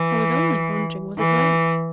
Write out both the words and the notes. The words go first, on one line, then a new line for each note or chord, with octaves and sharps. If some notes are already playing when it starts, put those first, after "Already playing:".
I was only wondering was it late.
Already playing: E3
E3